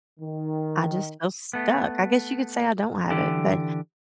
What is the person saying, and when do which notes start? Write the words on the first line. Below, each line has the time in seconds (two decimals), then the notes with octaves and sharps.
I just feel stuck, I guess you could say I don't have it, but
0.19 D#3
1.53 A3 B3
3.10 D3 E3 G4